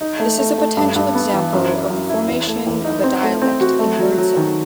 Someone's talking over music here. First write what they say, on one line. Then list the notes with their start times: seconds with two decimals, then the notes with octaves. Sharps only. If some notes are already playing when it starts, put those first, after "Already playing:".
This is a potential example of the formation of a dialect in bird song.
0.01 D#4
0.20 A3
0.39 A3
0.58 A3
0.77 G2
0.96 G2
1.15 B3
1.33 E3
1.53 F#2
1.71 E4
1.90 F#2
2.09 E4
2.29 E2
2.47 A3
2.67 E2
2.85 D#4
3.04 C4
3.23 A3
3.42 C4
3.61 F#4
3.79 A3
3.99 F#3
4.18 F#3
4.37 D#3